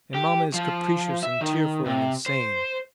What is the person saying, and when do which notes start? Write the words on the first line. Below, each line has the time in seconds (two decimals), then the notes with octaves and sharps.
And mamma is capricious and tearful and insane!
0.14 G4
0.54 F3
1.23 E5
1.41 D#3
1.86 C3
2.26 C5